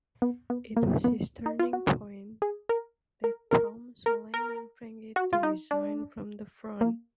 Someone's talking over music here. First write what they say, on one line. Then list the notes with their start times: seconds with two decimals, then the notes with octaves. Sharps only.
It was this turning point that prompted Suleiman Frangieh to resign from the Front.
0.22 B3
0.50 B3
0.77 A#3
1.04 B3
1.46 D#4
1.59 F4
1.73 F#4
2.42 G#4
2.69 A#4
3.24 A#4
3.51 A#4
4.06 A#4
4.34 A#4
5.16 F#4
5.33 F4
5.43 D#4
5.71 D4
6.81 A#3